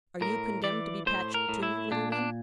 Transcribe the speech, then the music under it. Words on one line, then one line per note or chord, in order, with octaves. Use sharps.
"Are you condemned to be patched, too, little one?"
A2 A#4
E3 D5
A2 C5
A#4
A2
E4
A#2 D4
D4